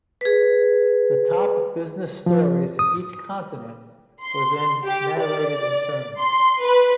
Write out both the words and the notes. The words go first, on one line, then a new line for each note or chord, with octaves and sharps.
The top business stories in each continent were then narrated in turn.
G#4 B4
F3
D#6
C6
G4
D5
C6
B4